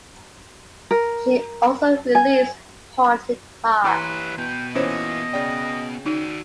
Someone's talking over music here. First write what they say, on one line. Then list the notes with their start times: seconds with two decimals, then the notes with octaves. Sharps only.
She also released Haunted Heart.
0.91 A#4
2.15 G#5
3.85 E3 G4 B4 C#5 A#5 C6
4.38 B3 F#4 G5
4.75 A#2 E3 C#4 C5 C#5 D#5 E7
5.33 C#3 D5 G5
6.06 D#4 F#4 D5